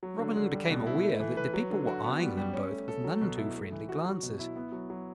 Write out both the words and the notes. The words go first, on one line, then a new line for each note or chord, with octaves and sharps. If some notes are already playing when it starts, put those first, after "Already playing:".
Robin became aware that the people were eyeing them both with none too friendly glances.
F#3
D3
D3
G3
B2
E4
A3
E3
B4
F#3
D3
F#4
B3
G3
G3
C#4
A3
A4
F#3
B2
E4
A3
E3
F#4
F#3
B2
E4
B3
F#3
F#3